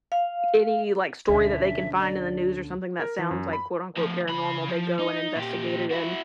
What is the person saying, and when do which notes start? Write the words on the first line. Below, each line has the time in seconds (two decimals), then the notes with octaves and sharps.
any, like, story that they can find in the news or something that sounds like quote, unquote "paranormal," they go and investigate it and
0.12 F5
1.28 D2 B2 D3 C#4 D4 E5
1.99 D5
3.00 A#4
3.19 E3
3.31 F#2
3.53 B5
3.97 D2 F3
4.29 C#3 B5
4.69 F3
4.99 D#4
5.36 A#2 G4
5.91 E4 F#4